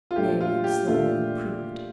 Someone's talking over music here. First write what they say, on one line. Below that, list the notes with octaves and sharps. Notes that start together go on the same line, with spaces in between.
Marian slowly improved.
F4
A#2 A3 D4 G4 A4 E5
F4
G4
A#2 A3 D4 F4 A4 E5